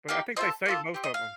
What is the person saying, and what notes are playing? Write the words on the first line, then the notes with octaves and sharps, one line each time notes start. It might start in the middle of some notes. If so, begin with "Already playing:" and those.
But I think they saved most of 'em.
A#3 D#4 G4
C4 F4 A4 D#5
A#3 F4 A4
C4 G4
D#5
F5